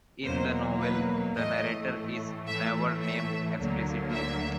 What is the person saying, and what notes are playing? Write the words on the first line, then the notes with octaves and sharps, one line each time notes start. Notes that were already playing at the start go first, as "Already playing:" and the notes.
In the novel the narrator is never named explicitly.
E2 B2 F#3 A#3 C5
B4
A2 E3 A3 D#5
A2 E3 A3 E5
E5
D2 D3 F#3 A#3
E5